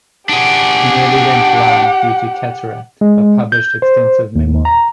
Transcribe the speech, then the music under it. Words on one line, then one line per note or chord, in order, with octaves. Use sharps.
He nearly went blind due to cataract but published extensive memoirs.
D4 G4 G#4 F#5
G#3
G6
C5
D#2
A#5